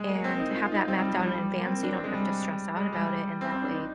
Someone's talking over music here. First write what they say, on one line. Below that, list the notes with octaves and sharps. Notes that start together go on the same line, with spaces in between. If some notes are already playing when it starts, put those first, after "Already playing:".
and have that mapped out in advance so you don't have to stress out about it, and that way,
Already playing: G#3
A#3
C4
D#4
F4
D#4
C4
G3
F3
G3
G3
A#3
C4
D4
C4
G#3
G3
G#3
G3
C4
C4
D4
D#4